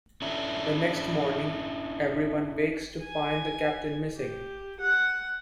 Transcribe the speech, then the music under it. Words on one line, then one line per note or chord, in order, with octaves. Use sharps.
The next morning, everyone wakes to find the Captain missing.
C#4 D4 E4 A4 E5
G#5
G4
F#5